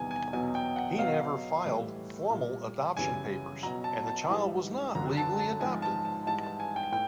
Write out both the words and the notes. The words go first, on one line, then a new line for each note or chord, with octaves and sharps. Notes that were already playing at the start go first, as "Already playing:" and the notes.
He never filed formal adoption papers and the child was not legally adopted.
Already playing: E2 C3 D#3 G3 G#5
G#5
E2 B2 F#3 G#5
G5
F#5
B2 F#3 F5
A2 E3 G3
A#2 G3
F#2 C#3 E3 G3 G#5
B2 F#3 A#5
A5
A5
G#2 E3 G3
F#2 D3 F#3 A#5
A5
A5
G#2 F3 G#5
A5
A5
G#2 E3 G3 A5
A5
G#5
G5
A2 G5